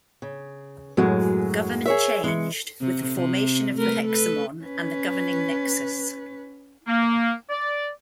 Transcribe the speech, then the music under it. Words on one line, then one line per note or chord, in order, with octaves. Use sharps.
Government changed, with the formation of the Hexamon and the governing Nexus.
C#3
F#2 A2 F#3 G#3
G#4 A#4 C#5 E5
E3 G#3 C#7
C3
C3
A3 A#4 B4
A4 B4
C#4 B4
A#3
D5